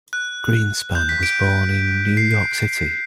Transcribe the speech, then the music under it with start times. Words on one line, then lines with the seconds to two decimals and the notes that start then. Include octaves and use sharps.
Greenspan was born in New York City.
0.13 F#6
0.95 G6
1.09 B6
1.23 D7
2.17 C7
2.31 C7